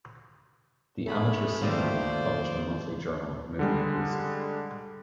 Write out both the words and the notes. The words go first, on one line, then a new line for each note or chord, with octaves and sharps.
The Amateur Cinema League published a monthly journal, "Movie Makers".
A3 G#4 B5
D#2 F4 C5 D5
D3 G3 G#3